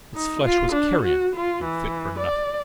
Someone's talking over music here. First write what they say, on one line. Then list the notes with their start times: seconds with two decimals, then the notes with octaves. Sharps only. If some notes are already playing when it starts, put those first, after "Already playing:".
Its flesh was carrion, and fit for nothing.
0.15 D#4
0.44 F4
0.72 D4
1.01 F#4
1.35 F4
1.64 E3
2.18 D5